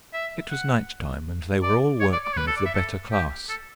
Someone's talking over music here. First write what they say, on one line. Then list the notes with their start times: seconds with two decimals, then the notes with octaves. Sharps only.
It was night-time, and they were all workmen of the better class.
0.14 E5
0.51 F#5
1.63 D5
2.01 C#5
2.13 D5
2.25 D5
2.33 C#5
2.37 B4
2.47 A4
2.57 D5
2.66 E5
2.74 A4
3.12 G4
3.49 A4